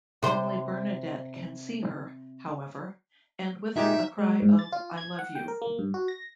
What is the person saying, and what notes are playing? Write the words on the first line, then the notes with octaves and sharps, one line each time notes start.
Only Bernadette can see her, however, and with a cry of I love you!
C3 C5
A#2 G#3 D#4 G4 E5
G#3
G#2
A6
F4
G#6
F#5
G5
A#4
A#3
G2
F#4
A#6